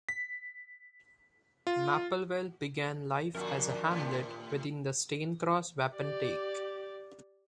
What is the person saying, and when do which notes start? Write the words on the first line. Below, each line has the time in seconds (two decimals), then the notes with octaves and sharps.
Mapplewell began life as a hamlet within the Staincross Wapentake.
0.09 B6
1.67 F4
3.35 F2 A#2 D#3 D4 F#4 A#4
3.91 A2 C3 B4
5.95 G4 D5